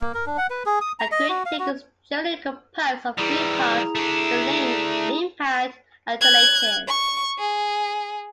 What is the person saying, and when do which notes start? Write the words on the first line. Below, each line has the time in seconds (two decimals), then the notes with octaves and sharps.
A kritik is generally composed of three parts, the link, impact, and alternative.
0.01 A#3
0.14 A#4
0.26 D4
0.38 F#5
0.50 B4
0.66 G#4
0.81 D#6
0.99 A#5
1.12 D#5
1.29 F#4
1.46 F5
1.59 F#4
3.18 E3 G3 E4 G#4 A#5
3.95 A3 D4
6.21 F#6 G#6
6.87 C#6
7.38 G#4